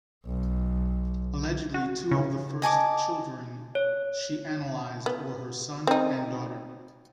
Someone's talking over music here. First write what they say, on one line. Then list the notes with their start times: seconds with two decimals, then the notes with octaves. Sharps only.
Allegedly two of the first children she analysed were her son and daughter.
0.26 B1
1.74 F#4
2.11 C#3
2.62 D#5 G#5 A5 D6
3.75 C#5
5.06 B3
5.87 C4 D#4